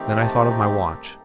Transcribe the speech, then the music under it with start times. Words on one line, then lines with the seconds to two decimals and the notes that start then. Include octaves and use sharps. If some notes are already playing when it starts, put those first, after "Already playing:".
Then I thought of my watch.
Already playing: D#3 A3 C4 D#4 G4
0.22 A5
0.51 A#5